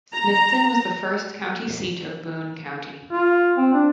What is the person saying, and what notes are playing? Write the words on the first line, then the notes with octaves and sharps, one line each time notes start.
Smithton was the first county seat of Boone County.
A#5
F4
C4
D4